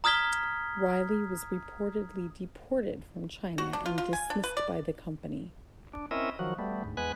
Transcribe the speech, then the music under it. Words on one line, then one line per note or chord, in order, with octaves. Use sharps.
Reilly was reportedly deported from China and dismissed by the company.
A#5 D#6 F6 G#6 B6 G7
F#4
D4
F4
F4
G#5
D4
B4
D5
D4
C4 C#4 E4 A#4 D#5 E5
D#3 F3 F#3 F#4
G3 A3 B3
D2 G#2
E2 G#3 B3 B4 G#5 F#6